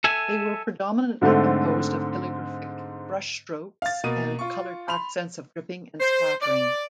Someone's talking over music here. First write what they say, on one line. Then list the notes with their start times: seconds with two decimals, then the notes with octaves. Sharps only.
They were predominantly composed of calligraphic brushstrokes and colored accents of dripping and splattering.
0.04 A4 E5 G#5
1.21 G#2 D3 A3 C4
3.82 F5 A6
4.04 B2 A#3 D#7
4.39 F4 C#6
4.88 B5 C6 F7
6.01 C5
6.42 D5